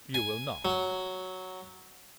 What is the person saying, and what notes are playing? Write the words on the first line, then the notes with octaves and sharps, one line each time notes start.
"You will not."
G#5
F#3